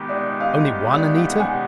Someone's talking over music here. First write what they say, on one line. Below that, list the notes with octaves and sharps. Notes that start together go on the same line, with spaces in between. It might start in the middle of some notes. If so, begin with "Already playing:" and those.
"Only one, Anita?"
Already playing: D#3 G#3 B3 D#4 G4
D5 E5
D#5 F5
D5 E5
E5 F#5
F#5 G#5